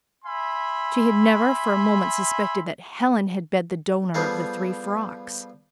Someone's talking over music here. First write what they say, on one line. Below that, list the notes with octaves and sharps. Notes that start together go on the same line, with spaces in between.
She had never for a moment suspected that Helen had been the donor of the three frocks.
E5 G#5 B5 C6
F3 G3 B3 G#4 A4 F5